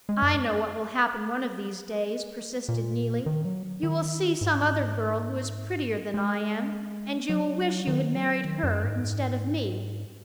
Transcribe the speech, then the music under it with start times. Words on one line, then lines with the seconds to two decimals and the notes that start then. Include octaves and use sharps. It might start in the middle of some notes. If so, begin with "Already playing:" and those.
"I know what will happen one of these days," persisted Neelie. "You will see some other girl who is prettier than I am; and you will wish you had married her instead of me!"
0.09 G#3
0.22 F#2
2.69 A#2
3.26 D#3
3.45 F#3
3.83 D#3
4.41 G#2
6.14 G#3
7.29 F#3
7.87 D#3
8.15 F#3
8.44 D#3
8.63 F#2
8.84 G#2